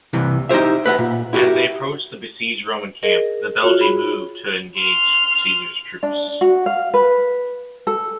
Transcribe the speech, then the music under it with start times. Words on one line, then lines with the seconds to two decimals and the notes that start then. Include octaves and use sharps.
As they approached the besieged Roman camp, the Belgae moved to engage Caesar's troops.
0.13 C2 C3 E3
0.49 D#4 E4 G4 C5 E5
0.86 B4 E5 F#5
0.99 A#2
1.33 E4 F#4 G4 A#4
3.03 G#4 A#4 D#5
3.61 F4 F#4 C#5
3.79 G#4 B5
4.78 C6 F6
6.03 D4
6.41 F#4
6.66 F5
6.94 B4
7.87 A4